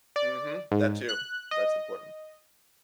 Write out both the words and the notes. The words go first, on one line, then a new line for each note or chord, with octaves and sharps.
Mhm. That too. That's important.
D5
G#2
F#6
D#5